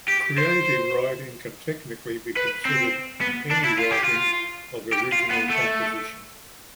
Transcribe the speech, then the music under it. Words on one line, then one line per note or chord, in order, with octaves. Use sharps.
Creative writing can technically be considered any writing of original composition.
G4
C5
B4
C4
B3
D4
E4
F4
G4
F4
G4
F4
B3
A3